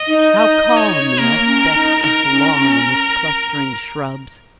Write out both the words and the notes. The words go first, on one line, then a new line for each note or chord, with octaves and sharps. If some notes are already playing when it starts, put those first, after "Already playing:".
How calm the aspect of the lawn and its clustering shrubs.
Already playing: D#5
D#4
D#5
C#5
A#3 A#4
C#4
D#4
D#4 A#4
C#4
C#4